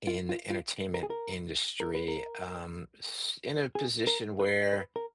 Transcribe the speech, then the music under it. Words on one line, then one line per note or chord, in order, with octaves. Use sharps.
in the entertainment industry, um, s in a position where
F4
F4
F4
A#4
G#4
A#4
A#4
B4
A#4
G#4
A#4
B4
B4
A#4